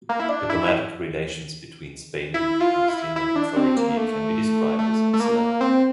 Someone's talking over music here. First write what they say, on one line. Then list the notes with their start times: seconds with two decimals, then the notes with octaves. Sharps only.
Diplomatic relations between Spain and the Palestinian Authority can be described as excellent.
0.09 A#3
0.20 E4
0.29 D4
0.50 E4
2.34 E4
2.60 F4
2.89 E4
3.16 E4
3.36 D4
3.56 C4
3.77 A#3
3.97 A3
4.79 A3
5.13 A3
5.20 A#3
5.61 C4